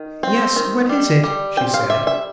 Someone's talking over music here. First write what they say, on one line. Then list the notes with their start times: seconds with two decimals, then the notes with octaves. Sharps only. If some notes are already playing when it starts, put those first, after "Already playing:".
"Yes, what is it?" she said.
Already playing: D#3
0.23 C4
0.56 D#3
0.89 G3
1.23 G3
1.57 C4 G5
1.74 F5
1.90 G3 E5
2.07 E5